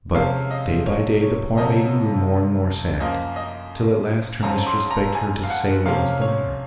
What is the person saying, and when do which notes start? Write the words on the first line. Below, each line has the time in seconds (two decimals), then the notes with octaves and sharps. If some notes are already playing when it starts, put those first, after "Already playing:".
But day by day the poor maiden grew more and more sad, till at last her mistress begged her to say what was the matter.
0.15 C3 F3 G#3 C#4 F5
0.51 D#5
0.86 C#5
1.22 C#5
1.57 F2 C3 F#3 C#4 D#5
3.00 F#2 F3 A#3 D#5
3.36 D#5
4.43 F2 C#3 F#3 C4 A#5
4.67 C6
4.91 A#5
5.15 G#5
5.44 F5
5.50 F#5
5.86 C3 F3 A#3 C#4 F5
6.21 C#5